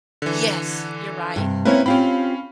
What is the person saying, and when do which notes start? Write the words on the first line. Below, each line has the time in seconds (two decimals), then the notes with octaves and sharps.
Yes, you're right.
0.22 D3 E3
1.36 G2 C3
1.65 A#3 C4 C#4 E4 B4 C#5
1.86 C4 C#4 F4 G4 F5 B5